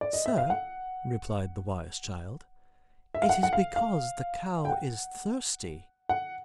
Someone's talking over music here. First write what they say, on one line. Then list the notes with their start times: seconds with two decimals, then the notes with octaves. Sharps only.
"Sir," replied the wise child, "it is because the cow is thirsty."
0.01 D5
0.13 D#5
0.26 E5
0.38 F5
0.50 F#5
3.15 E5
3.22 F5
3.29 F#5
3.43 F#5
3.53 F5
3.76 F5
4.65 G5
4.70 F#5
6.09 F#5